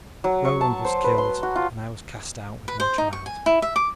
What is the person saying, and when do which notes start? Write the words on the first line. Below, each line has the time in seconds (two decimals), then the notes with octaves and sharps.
Roland was killed, and I was cast out with my child.
0.24 F#3
0.45 C#6
0.61 A5
0.85 C5
1.04 B4
1.18 C6
1.43 F#4
1.56 F4
2.68 B4
2.80 C5
2.98 D#4
3.13 C#6
3.26 G#5
3.46 E4
3.62 E5
3.76 D6